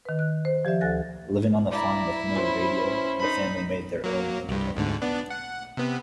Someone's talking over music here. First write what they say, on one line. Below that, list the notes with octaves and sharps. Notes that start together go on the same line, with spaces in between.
Living on the farm with no radio, the family made their own entertainment.
D#3 B4
F#6
C5
F3 G4 D5 E5
D2 A4 G#5 F#6 A6 A#6
E4 D5 A#5
C#4 C5
D#4 B5
F#3 A#3
C2 G2
D2 G#2 D3
B3 D4
F#5
C3 B3